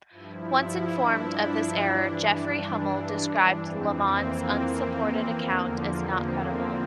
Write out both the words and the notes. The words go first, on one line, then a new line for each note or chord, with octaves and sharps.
Once informed of this error, Jeffrey Hummel described Lamon's unsupported account as not credible.
G2 F3 E4
E4
D4
G2 E3
F2 E3 C4
A#3
E2 D3 F3
C4